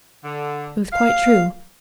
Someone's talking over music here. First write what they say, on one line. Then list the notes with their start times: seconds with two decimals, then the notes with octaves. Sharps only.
It was quite true.
0.24 D3
0.92 F5